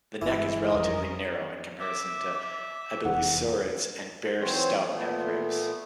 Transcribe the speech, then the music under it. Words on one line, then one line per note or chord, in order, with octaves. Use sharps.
The neck is relatively narrow in comparison to abelisaurids and bear stout neck ribs.
G1 E3 G#3 E4
F2 F3 G3 C#4 A#4 D#5
E5 D6
F1 E2 F#5
E3 F#3 C4 C5 C#5
A#2 A3 B3